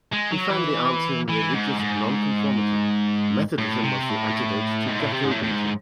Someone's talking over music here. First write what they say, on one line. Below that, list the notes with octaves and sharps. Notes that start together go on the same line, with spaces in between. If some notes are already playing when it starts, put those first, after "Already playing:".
He found the answer in religious nonconformity: Methodism was the antidote to Jacobinism.
G#3
F#3
E3
E3
G#2
G#2
A2
C3
A2
G#2
A2
C3
G#2
A2
A2
G#2